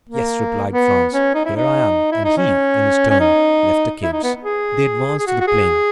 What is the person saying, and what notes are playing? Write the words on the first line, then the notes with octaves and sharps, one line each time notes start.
"Yes," replied Franz, "here I am," and he, in his turn, left the caves. They advanced to the plain.
A#3
B3
C#4
D#4
E4
D#4
E4
D#4
C#4
C#4
D#4
E4
D#4
B3
G#4
G#4
F#4
F#4
G#4